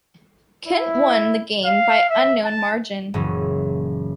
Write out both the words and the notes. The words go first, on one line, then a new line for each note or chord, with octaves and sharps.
Kent won the game by an unknown margin.
E4
F5
E5
A5
F#1 A#2 E3 C#4